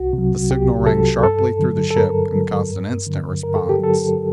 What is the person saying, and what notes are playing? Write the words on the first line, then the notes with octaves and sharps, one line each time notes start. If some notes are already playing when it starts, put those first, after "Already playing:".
The signal rang sharply through the ship, and caused an instant response.
Already playing: C2 F#4
C3
F#3
C2 G4
C3 F#3 A4
G2 A4
D3 F#3
A4
G2 A#4
D3 F#3
G2
D3 F#3
G2 A#4
A4
G4
D3 F#3 A4